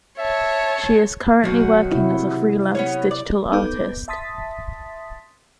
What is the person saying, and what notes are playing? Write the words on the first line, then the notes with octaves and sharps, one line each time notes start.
She is currently working as a freelance digital artist.
C#5 E5 A5
B2 D#3 F#3 F#4
C3 E4
B3 C#4 C#5
D5
B3 D#4 A4 B4 D6 G6
E5 A5 C6 D#6 A6 B6